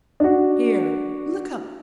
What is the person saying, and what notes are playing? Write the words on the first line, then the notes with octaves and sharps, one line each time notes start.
Here, look up.
D4 F#4